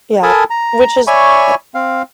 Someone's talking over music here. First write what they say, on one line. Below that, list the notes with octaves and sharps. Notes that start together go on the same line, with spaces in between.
Yeah. Which is eh
A4 A#4 G#5 A5 B5 D#6
A#5
C#5 D5 E5 G#5 B5 C#6
C4 F5